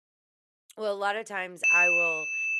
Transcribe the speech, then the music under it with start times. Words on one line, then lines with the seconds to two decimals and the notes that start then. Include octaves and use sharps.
Well, a lot of times, I will,
1.64 E7